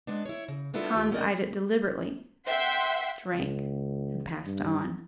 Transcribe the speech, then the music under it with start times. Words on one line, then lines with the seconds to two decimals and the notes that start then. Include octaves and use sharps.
Hans eyed it deliberately, drank, and passed on.
0.07 G#3 B3 D4
0.26 E4 C#5
0.48 C#3
0.74 G3 B3 D4 E4 F4 A4
0.95 D#2 F4 G4
1.11 B3 C#4 A4 A#4 D5 D#5
2.46 E5 F#5 G5 C6
3.35 C#2
4.46 G2